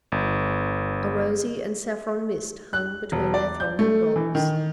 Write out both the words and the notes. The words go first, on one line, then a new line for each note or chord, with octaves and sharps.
A rosy and saffron mist hung between their thronging boles.
G1
F#6
E1
D5
G6
A3
E3
D#3